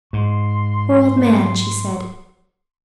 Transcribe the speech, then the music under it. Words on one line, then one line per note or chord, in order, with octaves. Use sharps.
"Poor old man!" she said.
G#2 C6